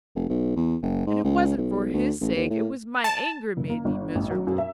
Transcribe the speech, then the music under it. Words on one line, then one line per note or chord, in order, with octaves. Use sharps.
And it wasn't for his sake, it was my anger made me miserable.
F1
B1
E2
F#1
G#2
C#2
B1
D2
A1
D#2
A2
A5
F#1
A#3
G1
A1
F#3
F#2
E5